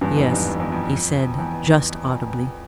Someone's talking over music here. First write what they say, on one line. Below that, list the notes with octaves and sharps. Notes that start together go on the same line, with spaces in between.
"Yes," he said, just audibly.
E2 G2
F2 G#2
E2 G2
F2
E2
F2
E2